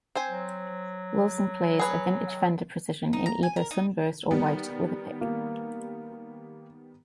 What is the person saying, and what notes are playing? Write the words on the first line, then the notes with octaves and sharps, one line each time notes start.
Wilson plays a vintage Fender Precision, in either sunburst or white, with a pick.
C4 C5 G#5
F#3
G#4 B4 C#5
D#4
A#5
G#5
A#4
D#4
D#3 G3 B3
A#3